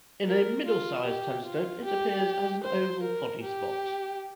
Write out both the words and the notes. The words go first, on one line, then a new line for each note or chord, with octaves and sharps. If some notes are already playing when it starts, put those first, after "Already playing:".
In a middle sized telescope it appears as an oval foggy spot.
A#4
F4
G4
F4
G4
C5
A#4
G4